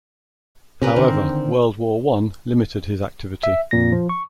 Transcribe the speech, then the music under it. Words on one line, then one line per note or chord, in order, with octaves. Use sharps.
However, World War One limited his activity.
C3 C#4 A#4 B4
D3 D#3 C4
E5
F2 A#2 A#6
F3
C#6